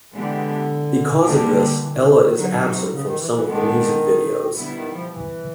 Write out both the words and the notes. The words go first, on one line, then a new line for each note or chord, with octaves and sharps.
Because of this, Ella is absent from some of the music videos.
D3 E3 G#3 B3 D4 G4
D3 D#3 G3 A#3 D4 G4
E3
D#3
E3
D#3
E3
D#3
D3 F#3 B3 D#4 F#4
C3
C#3
D#3
E3
E3
D#3 G#3 B3 D4
D3 G3 B3 E4
D#3
F3
E3